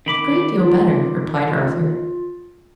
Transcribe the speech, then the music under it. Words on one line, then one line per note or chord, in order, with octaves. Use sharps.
"A great deal better," replied Arthur.
D#3 B5 D6
F4